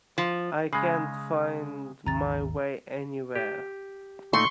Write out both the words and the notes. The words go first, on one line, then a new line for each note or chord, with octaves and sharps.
I can't find my way anywhere!
F3
C#3 G#3 G#5 B5 C7
G#1 D#2 A#5 A6
G4
A#2 A3 D#4 C6 C#6